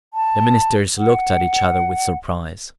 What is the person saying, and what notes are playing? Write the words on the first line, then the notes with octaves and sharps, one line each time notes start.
The ministers looked at each other with surprise.
A5
F#5